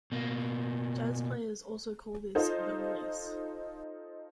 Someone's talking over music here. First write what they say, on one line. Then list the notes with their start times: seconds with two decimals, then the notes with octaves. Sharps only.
Jazz players also call this "the release".
0.12 B2 A#3
2.35 D#4 F4 A4 C5